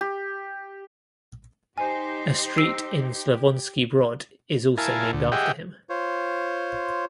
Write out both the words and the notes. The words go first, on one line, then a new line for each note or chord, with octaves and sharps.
A street in Slavonski Brod is also named after him.
G4
D#4 G4 C5 G#5
E6 C7 D7
G4
E4 A#4 F5 G#5 A5
D2
G4 G#4 D#5 E5 F#5 G5
F4 C5 C#5